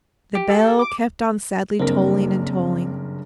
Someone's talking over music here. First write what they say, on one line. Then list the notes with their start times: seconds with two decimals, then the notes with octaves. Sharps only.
The bell kept on sadly tolling and tolling.
0.35 G4
0.49 A4
0.79 D6
1.79 F#1 G2 A#3 C4 A#4